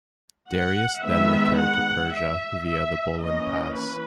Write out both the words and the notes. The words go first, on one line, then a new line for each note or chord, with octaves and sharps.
Darius then returned to Persia via the Bolan Pass.
F#5
D#3 G#3 B3 E5
F#5
E5
E5
E3 A#3 C#4 D#5
B4